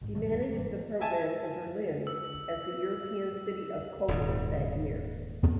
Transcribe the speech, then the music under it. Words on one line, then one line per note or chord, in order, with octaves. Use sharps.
She managed the program for Berlin as the European City of Culture that year.
B1 G#2
A#2 E3 F#3 A3
G1 D#2 G#2
A#3
G1 E3 G3
E3
E5 G#5 A5
E6
D#1 G#2